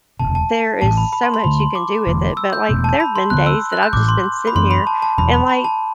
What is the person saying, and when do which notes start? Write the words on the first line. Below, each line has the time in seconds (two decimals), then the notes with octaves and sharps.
there is so much you can do with it, but, like, there have been days that I've just been sitting here, and, like,
0.19 E1 D2 C3 A5
0.35 A5
0.81 A1 A2 E3 A3 A5
0.97 B5
1.13 B5
1.23 C6
1.34 C6
1.44 D2 D3 A3 B5
1.60 C6
1.75 D6
2.06 E1 E2 D3 A3
2.37 E6
2.53 G6
2.69 E1 E2 B2 A3
2.84 A5
3.00 B5
3.15 C6
3.30 D2 D3 G3 B3 F#6
3.47 E6
3.73 F#6
3.83 G6
3.93 A1 A2 E3 D6
4.09 C6
4.47 B5
4.55 F#2 E3 B3 D4 C6
4.71 B5
4.87 A5
5.02 A5
5.18 E1 E2 B2 F#3 B5
5.33 B5
5.49 B5
5.64 A5